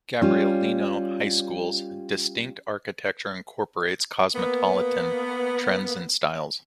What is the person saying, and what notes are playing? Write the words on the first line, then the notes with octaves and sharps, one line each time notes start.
Gabrielino High School's distinct architecture incorporates cosmopolitan trends and styles.
G3 C#4 F4
A#3 B3